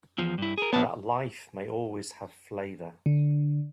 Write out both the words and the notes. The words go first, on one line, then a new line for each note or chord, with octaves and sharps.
That life may always have flavor.
E2 F3
G2 E4
G#4 A#4
A#1 B3 C#5 A5
D3